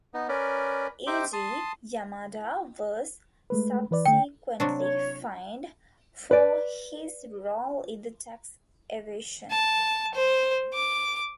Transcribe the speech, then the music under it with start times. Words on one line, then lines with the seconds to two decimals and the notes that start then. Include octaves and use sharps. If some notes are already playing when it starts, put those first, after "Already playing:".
Eiji Yamada was subsequently fined for his role in the tax evasion.
0.14 B3 D#4
0.29 C#4 A#4 B4 D5
1.07 D#4 G4 C5 E5 D6
1.33 A5 C6 D#6
3.50 G#3 A3 B4
3.91 E3 B4 D5
4.06 D3 A3 G5
4.60 C3 F#3 D4
4.77 C#5
6.31 B4 D5
9.50 A5
10.14 C5
10.73 D6